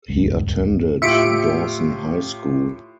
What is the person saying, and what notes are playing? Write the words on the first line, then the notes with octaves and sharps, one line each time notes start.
He attended Dawson High School.
D#1 C#2 G2 G#3
A2 F4 G4 E5 C#7 D7